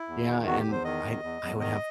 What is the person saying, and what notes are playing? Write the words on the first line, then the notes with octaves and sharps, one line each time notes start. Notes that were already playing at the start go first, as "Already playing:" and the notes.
yeah, and I I would have
Already playing: E4
E2
D#3
E2 F#4
G4
E2
C5
D#3 D#5
E2
E2
E2
D#3 D#5